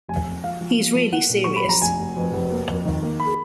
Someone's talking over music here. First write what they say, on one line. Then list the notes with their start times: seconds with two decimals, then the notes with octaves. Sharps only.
He's really serious.
0.08 F1 G#5
0.26 F2
0.44 F3 F5
0.61 F3
0.78 F3
0.95 F3
1.12 A#3 F#5
1.29 A#2
1.44 F#3 C#6
1.56 B5
1.64 A#1
1.69 A#5
1.81 F1 G#5
1.99 F1
2.16 F2
2.33 F1
2.51 A#3
2.68 F2
2.85 D#3
3.02 A#3
3.20 B5